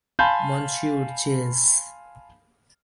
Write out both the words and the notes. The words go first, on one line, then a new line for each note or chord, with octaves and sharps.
Monsieur chasse!
F5 G#5 A5 B5 C6 G6